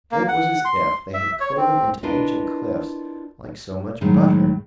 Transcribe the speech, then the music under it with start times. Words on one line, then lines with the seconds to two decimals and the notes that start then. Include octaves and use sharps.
It was as if they had cloven into ancient cliffs like so much butter.
0.12 A#3
0.28 F#5
0.65 C6
1.14 E5
1.40 C#5
1.57 C4
2.03 D4 E4 F4 A#4 B4 D#5
4.01 A2 D#3 F#3 G#3